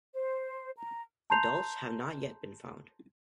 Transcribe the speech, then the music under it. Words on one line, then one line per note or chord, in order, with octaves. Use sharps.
Adults have not yet been found.
C5
A#5
A5 A#5 C6 G6 C7 F7